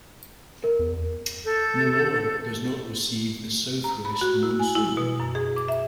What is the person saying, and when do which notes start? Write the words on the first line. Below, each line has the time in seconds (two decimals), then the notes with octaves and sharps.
Nellore does not receive the south-west monsoon.
0.64 A#4
0.79 E2
1.43 A4 G6
3.84 A#5
4.05 B5
4.21 F#4
4.43 E4
4.59 G#5
4.75 E4
4.97 B2
5.20 F#2
5.35 G#4
5.56 D6
5.68 E5